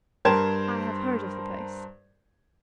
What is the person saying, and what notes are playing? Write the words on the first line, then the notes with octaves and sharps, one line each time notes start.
"I have heard of the place."
G2 A#4 C5 A5 G#6 E7